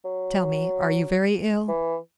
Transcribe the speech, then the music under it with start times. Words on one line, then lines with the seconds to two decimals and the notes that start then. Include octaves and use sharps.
"Tell me, are you very ill?"
0.05 F#3
1.68 E3